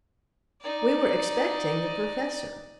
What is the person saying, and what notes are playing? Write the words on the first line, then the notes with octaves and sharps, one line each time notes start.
We were expecting the professor.
D#4 D5